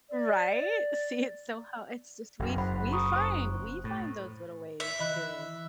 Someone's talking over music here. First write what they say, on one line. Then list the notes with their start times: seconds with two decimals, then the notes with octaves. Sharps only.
Right? See, it's so How it's just we f we find We find those little ways to
0.10 D5
2.39 F#1 F#2
2.58 C5 F#5 B5
2.92 A#5 C#6 D#6
3.16 C5
3.84 A2
4.80 E5
4.99 E3 D#5 B5 F#6